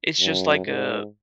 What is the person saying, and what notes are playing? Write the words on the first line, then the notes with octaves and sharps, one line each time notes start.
it's just, like, a
F#2
G#2